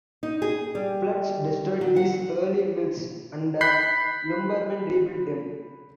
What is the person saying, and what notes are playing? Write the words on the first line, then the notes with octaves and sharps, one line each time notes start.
Floods destroyed these early mills, and the lumbermen rebuilt them.
D#4
G#4
G3
F#3
F#5
B5 F#6 G6 B6 C7